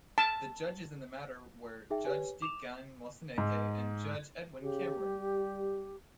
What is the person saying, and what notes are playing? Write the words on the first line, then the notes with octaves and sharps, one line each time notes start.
The judges in the matter were: Judge Dikgang Moseneke and Judge Edwin Cameron.
A5
D#4 G#4 E5 G5
G4 B4 C#5 G#5
D6 E7 F7
G#2
C#3 G4
G3